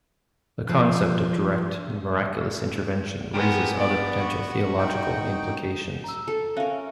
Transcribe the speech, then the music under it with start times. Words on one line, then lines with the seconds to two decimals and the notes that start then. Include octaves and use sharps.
The concept of direct miraculous intervention raises other potential theological implications.
0.69 F3
3.33 G#3 B3 G4 A#4
3.78 B3 D5
4.18 F#4
4.78 D#4 G5
6.04 A#5 E6
6.28 A4
6.56 C#4 A#4 E5 F5 F#6
6.71 E5